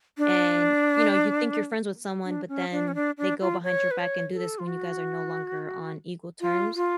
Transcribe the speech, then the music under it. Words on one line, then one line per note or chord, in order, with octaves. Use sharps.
and, you know, you think you're friends with someone, but then they go behind your back and do this when you guys are no longer on equal terms.
D4
D4
C#4
D4
C#4
D4
D4
F4
C#5
B4
C#5
A4
F4
F#4
F4
F4